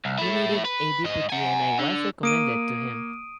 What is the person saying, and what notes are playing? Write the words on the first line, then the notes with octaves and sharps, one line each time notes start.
He needed a deputy and I was recommended to him.
C2
A3 E4
B4
G#2 D#5
F#5 G#5
D3
A#3 D#6 D7 D#7